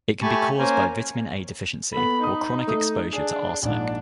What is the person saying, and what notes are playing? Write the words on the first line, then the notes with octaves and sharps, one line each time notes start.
It can be caused by vitamin A deficiency or chronic exposure to arsenic.
A3 G4 G#5 A5 B5 C#6
A#3 C#4 A#4 C5 G#5
B3 A4 B5
D#4 D#6
A3 D#6
D4 G#4
A#1 G#2 D4